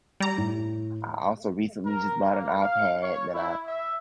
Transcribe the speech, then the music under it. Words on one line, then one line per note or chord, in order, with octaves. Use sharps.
I also recently just bought an iPad that I,
G3 A#5
A2
A#4
A#3
F5
C#5
E4
E5